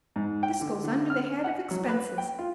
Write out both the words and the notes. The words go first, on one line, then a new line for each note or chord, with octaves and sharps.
This goes under the head of expenses.
G#2
G5
D3
D3
F6
F#5
F#3
B4
G5
F4